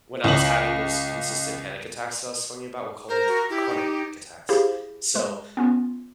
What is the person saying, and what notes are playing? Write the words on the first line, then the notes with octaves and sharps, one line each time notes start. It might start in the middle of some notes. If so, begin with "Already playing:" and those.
when I was having those consistent panic attacks that I was telling you about, we'll call them chr chronic panic attacks, so,
C#2 F#7
A#4 C5
F#4
E4 G4
D#4
E4 G4 G#4 C5 F5
G#3
B3 C#4 F4